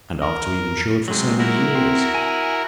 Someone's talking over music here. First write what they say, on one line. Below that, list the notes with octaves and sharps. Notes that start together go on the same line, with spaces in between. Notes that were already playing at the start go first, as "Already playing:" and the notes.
And after we've insured for so many years!
A#4
C3 F#3 G#3
E4 F#4 A#4
C4
G#5